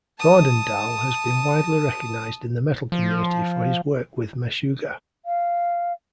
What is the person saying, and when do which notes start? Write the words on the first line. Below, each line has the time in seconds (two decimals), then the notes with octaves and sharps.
Thordendal has been widely recognized in the metal community for his work with Meshuggah.
0.19 A5 D#6
2.92 F3
5.26 F5